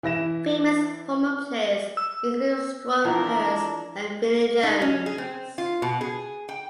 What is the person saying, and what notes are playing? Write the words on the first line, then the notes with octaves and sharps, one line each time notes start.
Famous former players include Stuart Pearce and Vinnie Jones.
E3 E4 A#6 E7
E6
E3 F3 D4 A#4
D#4
C#4
G#4
C4
F4
B2
G#4
G5